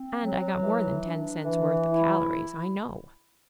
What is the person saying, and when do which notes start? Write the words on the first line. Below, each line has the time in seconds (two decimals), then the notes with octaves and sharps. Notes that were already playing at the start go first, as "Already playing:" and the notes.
And I got more than ten cents' worth of calories, I know.
Already playing: C4
0.19 F#3
0.61 E3
1.03 D4
1.45 E3
1.87 E4